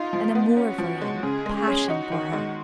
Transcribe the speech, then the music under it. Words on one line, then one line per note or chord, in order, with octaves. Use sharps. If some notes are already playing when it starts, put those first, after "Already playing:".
An amour for him; passion for her.
Already playing: D#4 F4
F3
B3
C#4 F#4
F3
G#3
C#3 G#4
G#3
G#4
C#4
D#4 F#4
D#3
G#3